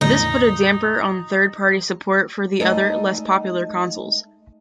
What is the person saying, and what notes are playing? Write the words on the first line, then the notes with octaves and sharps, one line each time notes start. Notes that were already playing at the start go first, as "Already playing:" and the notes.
This put a damper on third party support for the other, less popular consoles.
E2 A2 D3 D#4
G#3 A3 D#4 A4 D5 D#5